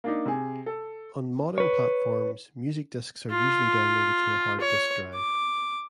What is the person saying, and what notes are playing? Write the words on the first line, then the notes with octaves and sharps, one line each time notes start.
On modern platforms, music disks are usually downloaded to a hard disk drive.
A#3 D4 D#4
C3 G#4
A4
B4 C#5
F4
C#5
D6